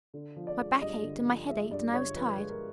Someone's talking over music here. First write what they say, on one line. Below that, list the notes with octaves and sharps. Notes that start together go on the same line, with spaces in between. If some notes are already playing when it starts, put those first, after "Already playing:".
My back ached and my head ached and I was tired.
D3
F3
D5
G#3
G2 D#5
D3
F3
G#3 E5
G2 D5
D3 C#5
F3 B4
G#3
A#4